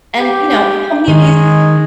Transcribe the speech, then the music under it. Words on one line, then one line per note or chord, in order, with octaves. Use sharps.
and, you know, how many of these
G4
D#3 G#3